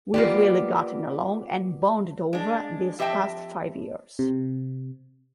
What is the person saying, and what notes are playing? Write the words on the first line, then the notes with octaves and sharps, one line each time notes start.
We've really gotten along and bonded over these past five years.
A#3 B3 F4 G4 D5
G#3 D4
F2 G4 D#5 E5 G5 A5
C3